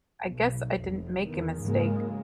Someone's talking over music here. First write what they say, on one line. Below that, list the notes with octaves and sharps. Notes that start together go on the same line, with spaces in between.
I guess I didn't make a mistake.
B1
F1
E2 D#3
G#2 C#3 F#3 G#3 A#3